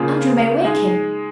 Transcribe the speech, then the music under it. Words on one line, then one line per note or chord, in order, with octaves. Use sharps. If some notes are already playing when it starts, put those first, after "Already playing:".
"Andrew may wake him."
Already playing: C#3 A#3 F4 G#4
G#3 D#4 G#4